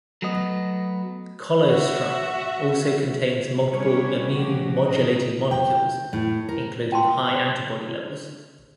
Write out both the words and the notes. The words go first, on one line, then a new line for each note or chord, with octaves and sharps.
Colostrum also contains multiple immune modulating molecules, including high antibody levels.
F#3 A3 B3 D#5
F#4 E5
G3 C#4 D4 E4 C#5
F3 A3 F#4 G4
D2 A2 A#4 D#5
G5
A2
A#4
G5 A5 C6